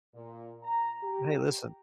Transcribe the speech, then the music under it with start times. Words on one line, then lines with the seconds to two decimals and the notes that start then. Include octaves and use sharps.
Hey listen
0.14 A#2
0.63 A#5
1.03 G4